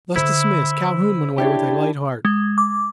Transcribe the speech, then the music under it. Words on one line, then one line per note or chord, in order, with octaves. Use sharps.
Thus dismissed Calhoun went away with a light heart.
D3 E4 C5 B5
D4 E4 G4 C#5
G#3
D6